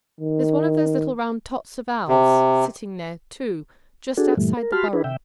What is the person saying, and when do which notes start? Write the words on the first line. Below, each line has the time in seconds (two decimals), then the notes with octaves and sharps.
There's one of those little round tots of owls sitting there too just outside the burrow.
0.20 D#3
2.08 C3
4.17 D4 F#4 G#4 A4
4.37 G2 A#2 E3 G3 A3
4.57 A#4
4.72 F#4 G4 A5 B5 C6 F6
4.93 D4 E4 G#4 B4
5.04 C3 E5 G5